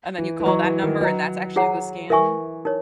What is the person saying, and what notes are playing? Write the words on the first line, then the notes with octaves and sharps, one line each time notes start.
and then you call that number and that's actually the scam?
E3
E3
F#3 B4 D#5 A#5 C#6
E3
D#3
F#3 B4 D#5 A#5
E4 G#4 C#5 F#5 A#5
E3 A#4 E5 G#5 C#6
D#4 A#4 C#5